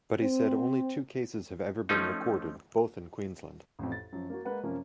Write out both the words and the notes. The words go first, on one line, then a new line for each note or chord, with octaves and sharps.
But he said only two cases have ever been recorded, both in Queensland.
C4
F3 A3 C#4 D#4
A1 F2
A6
F#2 F3
A#3 F#4
G#3 A#3 B4 F#5
F#2 C3 F3 A#3 C#4